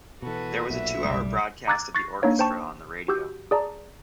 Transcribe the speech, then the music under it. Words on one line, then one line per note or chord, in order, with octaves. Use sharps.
There was a two-hour broadcast of the orchestra on the radio.
B2 E3 F#4 A4 B4
B1 A#2 E5
F#1 B1 G3 G#3
A#5 D6 E6 F#6 G#6 A6
C#6 F#6 A6 A#6 C7
A#3 D4 D#4 C#5 F5
C5 G5 A5 C#6
F#4 G4 E6 G6
G#4 D5 A5 A#5